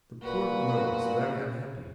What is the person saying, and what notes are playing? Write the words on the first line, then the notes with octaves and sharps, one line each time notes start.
The poor girl is very unhappy.
A#2 F#4 B4